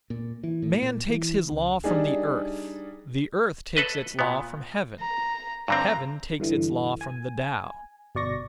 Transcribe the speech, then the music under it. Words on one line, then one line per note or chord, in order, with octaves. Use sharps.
Man takes his law from the Earth; the Earth takes its law from Heaven; Heaven takes its law from the Tao.
A#2
E3
A2
A#2
E3
C#2
G3 D4 D#4 G#4
A4 B4 D#5
A#2 B3
A#5
G2 D3 C4 A#5
G2 D3 E3
G#5
G1 B2 D5 C#6 A#6